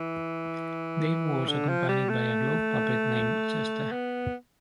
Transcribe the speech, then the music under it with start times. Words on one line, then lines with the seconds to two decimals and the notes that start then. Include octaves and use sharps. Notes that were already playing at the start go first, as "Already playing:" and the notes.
Dave was accompanied by a glove puppet named Chester.
Already playing: E3
1.49 D3
1.69 F3
1.89 G3
2.09 A3
3.92 B3